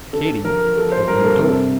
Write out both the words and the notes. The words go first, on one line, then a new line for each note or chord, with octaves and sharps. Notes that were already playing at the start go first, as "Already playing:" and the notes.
Katy opened the door.
D3 A4
F3 A#4
F3 A4
C5
G2 A#4
A4
C3 A4